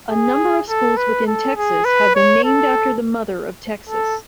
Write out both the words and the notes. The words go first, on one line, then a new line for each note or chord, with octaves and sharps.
A number of schools within Texas have been named after the Mother of Texas.
G#4
A4
B4
A4
G#4
B4
C#5
A4
A4